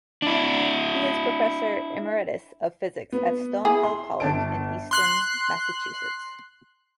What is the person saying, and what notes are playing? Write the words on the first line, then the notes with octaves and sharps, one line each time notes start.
He is Professor Emeritus of Physics at Stonehill College, in Easton, Massachusetts.
D4 E4
B3
E4 G#4
C6
G1 A5 D7
C6 F#6 C7